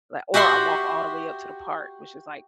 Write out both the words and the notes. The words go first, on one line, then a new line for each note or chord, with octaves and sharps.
li or I walk all the way up to the park, which is, like,
F#4 G4 E5 F#5 C6